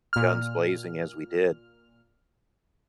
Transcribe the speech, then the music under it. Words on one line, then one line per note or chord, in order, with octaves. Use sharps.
guns blazing as we did,
A#2 F6